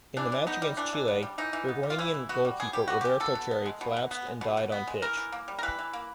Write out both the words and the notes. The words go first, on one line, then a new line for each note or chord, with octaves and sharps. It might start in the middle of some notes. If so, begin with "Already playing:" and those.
In the match against Chile, Uruguayan goalkeeper Roberto Chery collapsed and died on pitch.
E3 D4
E3
B3 D#4
G3
E3 D4
E3
B3
G3
E3 D#4
E3
B3
G3
F4
E3 E4
E3
B3 F#4
G3
B2 G#4
B2 G4
B3 F#4
G#3 G4
B2 A4
B2
B3
G#3
B2
B2
B3
G#3
B2
B2
B3
G#3
E3 A#4
E3
A#3
G3
A#4
E3 B4
E3
A#3